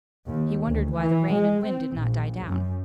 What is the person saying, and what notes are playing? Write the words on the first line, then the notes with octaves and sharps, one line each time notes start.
He wondered why the rain and wind did not die down.
D#2
D2
E3
G#3
C4
A#1
F#2